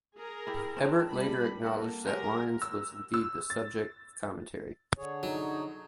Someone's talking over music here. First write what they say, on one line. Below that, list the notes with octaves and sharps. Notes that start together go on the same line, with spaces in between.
Ebert later acknowledged that Lyons was indeed the subject of the commentary.
G#4 A#4
E4 G4
C4 D4
G3 B5
A#3 A4 A#4 F#5
F#3 G#3 G4 A#4 E5
E6
E6
A6
D3 G#4 C#5
F#3 D#4